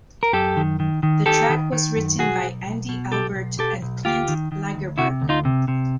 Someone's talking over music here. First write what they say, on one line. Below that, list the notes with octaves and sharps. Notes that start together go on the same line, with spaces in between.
The track was written by Andy Albert and Clint Lagerberg.
A#4
F#2 G4 A4
D#3
D#3
D#3
D#3 G4 A4
D#3
D#3
F#2
B1 F#4 G#4
B1
B1
B2
B1 G4 A4
B1
B2 G4 A4
B1
D2 F4 G4
D#3
D#3
D2
C3 E4 F#4
D2
D#4 F4
C3
C3